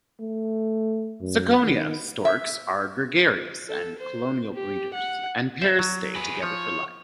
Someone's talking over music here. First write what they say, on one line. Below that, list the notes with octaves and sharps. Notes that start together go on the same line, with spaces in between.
"Ciconia" storks are gregarious and colonial breeders, and pairs stay together for life.
A3
F#2
D#3
E5
A4
C5
G4
F#5
C5 E5
F#3
G#4 B4
F3 C#5